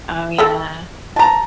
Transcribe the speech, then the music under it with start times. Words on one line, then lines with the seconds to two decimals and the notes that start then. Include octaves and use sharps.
Oh, yeah.
0.38 A4 E5 G5
1.16 A5 A#5